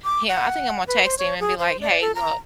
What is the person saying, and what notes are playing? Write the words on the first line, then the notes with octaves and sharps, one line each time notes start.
him I think I'm gonna text him and be like, "Hey, look"
D6
F#5
B4
C5
C#5
G#4
C5
D5
A4
A#5